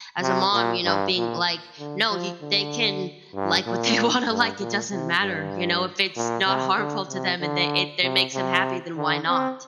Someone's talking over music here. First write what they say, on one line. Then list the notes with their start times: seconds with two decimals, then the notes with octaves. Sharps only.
as a mom, you know, being like, "No, y they can like what they wanna like, it doesn't matter, you know, if it's not harmful to them and they it it makes them happy, then why not?
0.22 C3
0.53 A#2
0.85 G2
1.16 A#2
1.79 D3
2.10 F3
2.41 D3
3.35 G2
3.66 A#2
4.28 G2
4.59 A#2
4.91 C3
5.21 G2
6.16 A#2
6.46 C3
6.78 D3
7.10 C3
7.41 D3
8.03 C3
8.34 C3
8.96 D3
9.28 C4